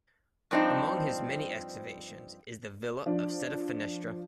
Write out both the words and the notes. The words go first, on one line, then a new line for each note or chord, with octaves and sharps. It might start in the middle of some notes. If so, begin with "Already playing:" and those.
Among his many excavations is the villa of Settefinestre.
G2 F3 C4 D4 D#4
F3 D4